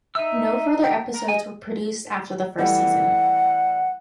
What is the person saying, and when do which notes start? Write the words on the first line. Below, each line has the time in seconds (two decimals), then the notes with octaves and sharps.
No further episodes were produced after the first season.
0.15 D#4 E5 E6
0.83 G5
1.14 A#5
1.28 D#5 G#5
2.58 E3 G3 A3 F#5